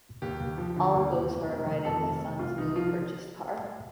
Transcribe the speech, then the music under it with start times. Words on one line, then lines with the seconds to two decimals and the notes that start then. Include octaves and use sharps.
Ill goes for a ride in his son's newly purchased car.
0.22 D#2 G4
0.40 D#2
0.58 F3
0.76 D3
0.94 D#2
1.12 D#2
1.31 F1
1.49 F1
1.66 D#3
1.85 F2 A4
2.03 F1
2.21 F1
2.39 C2 F4
2.58 C2 D#4
2.76 F3 F4